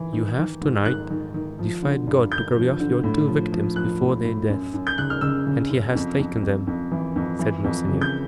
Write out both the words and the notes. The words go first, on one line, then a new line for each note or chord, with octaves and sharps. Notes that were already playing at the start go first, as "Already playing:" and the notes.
'You have to-night defied God to carry off your two victims before their death, and he has taken them,' said monseigneur.
Already playing: E3
D#3
D#3
G#2
D#3 F#6
D#3
D#3
F3
D3
G2
D3 G6
F3
D3
A2
F3
F3
F3 F#6
A2
A2
F#2
F#2
G6
C#3 F#6
F6
C#3 E6
C#3
F#2
F2
F2
F2
F2
E3
F2
E3
F2
C#3
G6